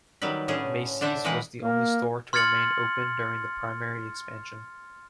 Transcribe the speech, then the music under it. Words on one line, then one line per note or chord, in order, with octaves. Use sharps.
Macy's was the only store to remain open during the primary expansion.
D#3 F#3 G3 B4
A2 D3 C#4 G#4
D3 D4 C5 E5
E3 G#3 A#3 B4 C5 F#5
A#3
C6 F6 G#6 A6 C#7 F#7